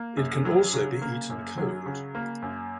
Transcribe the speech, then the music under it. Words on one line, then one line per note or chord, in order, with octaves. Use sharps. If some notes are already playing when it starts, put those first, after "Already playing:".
It can also be eaten cold.
Already playing: A#3
F#2
F#3
C#3
A#3
F#2
F#3
C#3
A#3
F#2